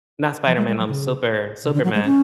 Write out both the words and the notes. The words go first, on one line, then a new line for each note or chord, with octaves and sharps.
Not Spider-Man, um, Super Superman.
F3
G#3
G#3
F#3
C#3
C#3
D3
F#3
G#3
C#4